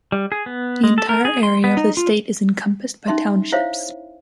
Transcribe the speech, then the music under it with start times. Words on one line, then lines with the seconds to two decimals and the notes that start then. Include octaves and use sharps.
The entire area of the state is encompassed by townships.
0.12 G3
0.32 G#4
0.46 B3
0.84 G#3
0.98 A4
1.09 A#4
1.25 G#4
1.43 C6
1.64 B3
1.77 D#4
1.97 F4
3.07 C#4 D#4 E5 C6
3.52 E4 C5 C#5 E5 F5